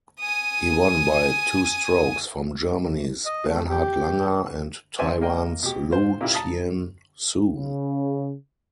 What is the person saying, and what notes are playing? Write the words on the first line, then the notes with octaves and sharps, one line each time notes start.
He won by two strokes from Germany's Bernhard Langer and Taiwan's Lu Chien-soon.
G#5 D#6
D#5
A3
G4
C4 D5 E5 G#5 C6
A#3 D#5 G5
B2 G4
F4 C5
A#2 C#3 A#3 E4 G4
A5 A#5 D#6
C#3